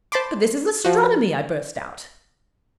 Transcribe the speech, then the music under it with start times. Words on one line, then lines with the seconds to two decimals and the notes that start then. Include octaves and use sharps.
'But this is astronomy,' I burst out.
0.12 C5 A5 B5 C6 D6
0.85 F3 F#4